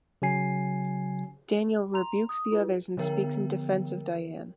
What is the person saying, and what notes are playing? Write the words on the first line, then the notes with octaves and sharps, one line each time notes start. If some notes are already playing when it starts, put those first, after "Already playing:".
Daniel rebukes the others and speaks in defence of Diane.
C#3 F#3 G#5 C7
A#5 C6 F7
D#6
E4 F4 G#4 B4
D3 F3 B3 A#4 C#5 G5